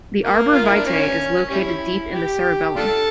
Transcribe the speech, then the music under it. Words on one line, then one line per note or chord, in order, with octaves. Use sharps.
The arbor vitae is located deep in the cerebellum.
A#3
F4
E4
D4
C#4
G3 C#4 E4
G4
D4 F4 A4